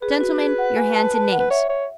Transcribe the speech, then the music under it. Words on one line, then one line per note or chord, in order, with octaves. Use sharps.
Gentlemen, your hands and names.
G#4 B4
F#4
G#4
F#5
G#5
A5
A5
F#5
B4
C#5 E5
C#5